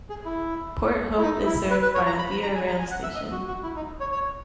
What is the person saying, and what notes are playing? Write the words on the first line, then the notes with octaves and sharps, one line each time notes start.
Port Hope is served by a Via Rail station.
G#4
E4
E4
D#4
E4
B4
B4
C#5
A#5
B5
B5
A#5
G#5
A#5
G#5
F#5
E5
D#5
F#4
F#4
E4
D#4
C#5
C#5